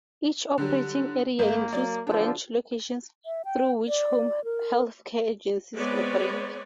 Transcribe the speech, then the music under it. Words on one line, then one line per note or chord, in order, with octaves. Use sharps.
Each operating area includes branch locations, through which home healthcare agencies operate.
D3 F#3 G3
G#1 A#3
F#3 D5
E2 D3 F3 D4
E5
G5
D5
A#4
G#3 B3 C4 B4 C#5 D5